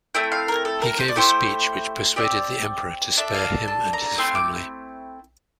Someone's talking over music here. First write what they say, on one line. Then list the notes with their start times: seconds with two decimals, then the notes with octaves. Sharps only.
He gave a speech which persuaded the emperor to spare him and his family.
0.14 A3 C4 E4 G5
0.32 F5
0.48 A#4
0.65 A4
0.82 A#4
0.99 C5
1.08 D5
1.16 A3 E4 G4 C5
2.16 C4 G4 D5
3.17 D4 A4 E5
3.34 F5
3.68 A5
3.93 A#5
4.18 A3 C4 E4 C6
4.35 D6